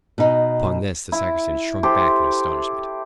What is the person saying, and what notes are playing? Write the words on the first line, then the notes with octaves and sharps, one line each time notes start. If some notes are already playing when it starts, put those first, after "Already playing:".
Upon this the sacristan shrunk back in astonishment.
B2 D#4
E4
G4 A4 C5